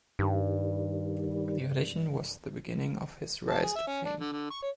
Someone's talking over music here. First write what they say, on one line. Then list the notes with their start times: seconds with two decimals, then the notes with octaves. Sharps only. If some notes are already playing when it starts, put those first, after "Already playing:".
The audition was the beginning of his rise to fame.
0.19 G2 D#3 G3
3.50 A5
3.63 G#4
3.75 E5
3.87 C#4
4.05 D4
4.19 D3
4.32 D3
4.50 C#6
4.62 C#5